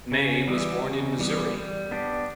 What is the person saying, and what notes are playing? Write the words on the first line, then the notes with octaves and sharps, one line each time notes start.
May was born in Missouri.
C#3
E3 G3 B3
C#3
E3 G3 B3
G3
B3 D4 G4